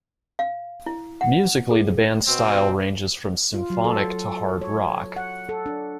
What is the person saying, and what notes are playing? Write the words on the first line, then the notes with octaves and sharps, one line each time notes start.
Musically the band's style ranges from symphonic to hard rock.
F5
E4
F#5
G#4
B2 C4
F4
F#3
A4
C#5
F#5
A4
D4